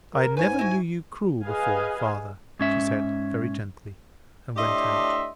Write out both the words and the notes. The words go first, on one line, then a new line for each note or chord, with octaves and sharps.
"I never knew you cruel before, father," she said, very gently, and went out.
A#4
G#2 B4 C#5 G#5
E4 F#4
G#4 B4 D#5 F5 G#5
G#2 C#4 E5
A2 D4 G4 D#5 E5 C6